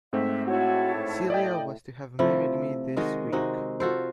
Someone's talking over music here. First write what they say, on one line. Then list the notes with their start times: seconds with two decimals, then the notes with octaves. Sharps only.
Celia was to have married me this week.
0.13 G#2 A3 C4 E5
0.48 E4 F#4 C#5 A5
0.96 A2
1.30 D5 D#5 G5
2.19 C3 F3 A3 E4
2.97 D#3 G#3 F#4 D#5
3.32 C3 G#3 D#4 F#4
3.80 F4 F#4 A4 C5